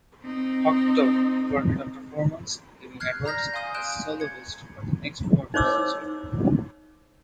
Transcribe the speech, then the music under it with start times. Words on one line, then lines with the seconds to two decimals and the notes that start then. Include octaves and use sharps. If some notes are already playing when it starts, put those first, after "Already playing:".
Hoctor departed after four months, leaving Edwards as solo host for the next quarter-century.
0.22 C4 D#4
3.00 F6 F#6 G#6 C7
3.24 D5 A#5 F6 G6 A#6
3.54 F5 G#5 C6 D#6 G6 D#7
3.74 F#6 G6 D7 E7 G7
4.20 G#6 C#7
5.54 D#4 C5 C#5 D6 E6